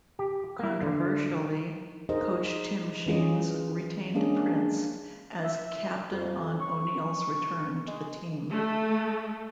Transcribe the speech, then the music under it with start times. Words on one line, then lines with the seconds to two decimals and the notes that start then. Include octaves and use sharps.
Controversially, coach Tim Sheens retained Prince as captain on O'Neill's return to the team.
0.19 G4
0.59 A#3 E4
0.82 D3
2.09 D#4 G#4 A#4 C5 D#5
3.06 E3 C#4 F4 G#4 D#5
4.14 G#3 A#3 C#4 D4 G#4
5.44 E5
6.12 F2
6.60 C#6
7.87 G#3
8.51 A3